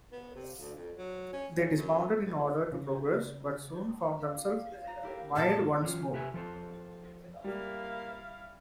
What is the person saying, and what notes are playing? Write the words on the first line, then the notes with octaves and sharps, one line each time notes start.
They dismounted in order to progress, but soon found themselves mired once more.
B3
C3
D2
F2
F#3
C#4
C#4
F#2
E2
C#2
C#3
F5
A#5
E4 G4 A#4
F#2 A#2 A#3 A5
E3 F#3 C#4 D#4 F4
C3 G4 B4 E5 G#5
F3 A4 C5 A5
G3 A#3 E4 F5